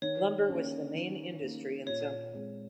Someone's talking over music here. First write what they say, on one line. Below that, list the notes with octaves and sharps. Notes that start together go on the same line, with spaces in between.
Lumber was the main industry in Zemple.
D#3 C#5
A#3 C#4
D#3
A#3 C#4
A#2 C#5
G#3 C4